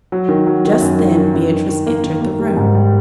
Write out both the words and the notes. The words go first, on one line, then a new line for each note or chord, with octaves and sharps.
Just then Beatrice entered the room.
F#3
D#3
F#3
D#3
F#2
D#3
D#3
F#2
D#3
D#3
A#3
D#3
A#3
G3
G#2
G3